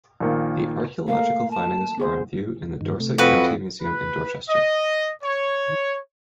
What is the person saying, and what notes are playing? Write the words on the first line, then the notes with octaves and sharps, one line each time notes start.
The archaeological findings are on view in the Dorset County Museum in Dorchester.
A#1 D#3 A#3
A3 A#3 A#4 F5
A5
B3 G#4 C5
G2 D#3
C3 A3
F2 F#4 B4
B4
D#5
C#5